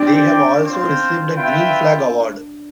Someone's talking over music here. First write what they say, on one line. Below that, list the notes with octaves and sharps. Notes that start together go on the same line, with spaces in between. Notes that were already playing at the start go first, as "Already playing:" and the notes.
They have also received a Green Flag Award.
Already playing: C4 D4 G4 D5 G5
C4 F4 C5
F4 B4 E5 G5